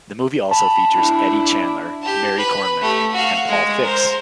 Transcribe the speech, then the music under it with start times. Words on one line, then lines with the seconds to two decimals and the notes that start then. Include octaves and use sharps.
The movie also features Eddy Chandler, Mary Kornman, and Paul Fix.
0.51 A5 B5
0.94 D4 E4
2.02 G4 A5
2.37 B4
2.81 A3 G4
3.12 F#4 F5
3.49 G#3
3.82 A#4 C5